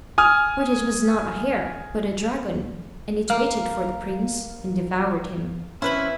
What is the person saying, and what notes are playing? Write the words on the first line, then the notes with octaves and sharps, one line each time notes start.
But it was not a hare, but a dragon, and it waited for the prince and devoured him.
G#5 D#6 F6
A#3 F5
C4 C#4 E4 B4 B5